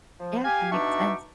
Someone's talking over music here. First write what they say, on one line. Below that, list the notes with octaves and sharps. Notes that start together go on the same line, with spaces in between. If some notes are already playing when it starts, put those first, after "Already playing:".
Yeah, that makes sense.
F3
G4 F5 G#5
B2 D4 D#4 E5 C#6 D6